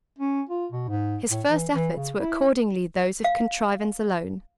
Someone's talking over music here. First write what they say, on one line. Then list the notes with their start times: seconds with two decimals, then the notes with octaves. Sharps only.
His first efforts were accordingly those of contrivance alone.
0.18 C#4
0.49 F4
0.72 B2
0.88 G#2
1.31 A2
1.47 E3
1.75 E3
1.96 C#3
2.20 E4
3.24 F5